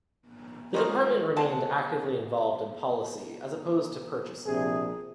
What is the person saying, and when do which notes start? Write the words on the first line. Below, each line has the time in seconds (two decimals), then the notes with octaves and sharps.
The department remained actively involved in policy as opposed to purchasing.
0.74 D#3 G#3 C#4 F4 F#4 A#4 C5 D#5
1.36 C4 F#5 G#5 A5
4.46 A#1 C3 G#4